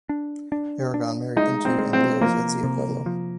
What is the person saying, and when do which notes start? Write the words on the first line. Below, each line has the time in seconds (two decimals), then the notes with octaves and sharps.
Aragon married into and lives at Zia Pueblo.
0.09 D4
0.52 D4
0.94 D4
1.37 G#3 D#4
1.65 C4
1.78 G#3
1.93 C4
2.21 F3 A#3
2.64 C3
3.06 F3